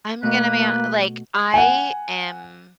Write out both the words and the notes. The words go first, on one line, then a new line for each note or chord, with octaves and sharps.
I'm gonna be ho like, I am
B2 A3 A#3 B4
F#5 G#5